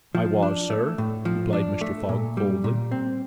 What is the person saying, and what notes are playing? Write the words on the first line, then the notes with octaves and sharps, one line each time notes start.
"I was, sir," replied Mr. Fogg coldly.
F3
D4
A3
A2
F3
D4
A3
A#2
G3
A#2
C4